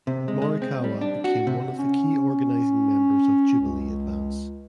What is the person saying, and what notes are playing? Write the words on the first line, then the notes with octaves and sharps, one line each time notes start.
Morikawa became one of the key organizing members of Jubilee Advance.
C3
G#3
G#3
C4
G3
D4
F#4
C3
C#4
C#2